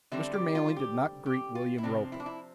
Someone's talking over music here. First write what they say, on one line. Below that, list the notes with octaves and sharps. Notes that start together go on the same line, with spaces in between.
Mr. Manley did not greet William Roper.
D3 G3 C4 E5
G4
F4
G4
G4
F4
E4
C3 F3 C4 D4
E4
D4
E4